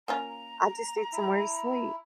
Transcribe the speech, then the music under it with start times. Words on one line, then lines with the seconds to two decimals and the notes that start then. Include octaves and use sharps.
I just need somewhere to sleep.
0.08 A#3 C#4 F4 A#5
1.13 E4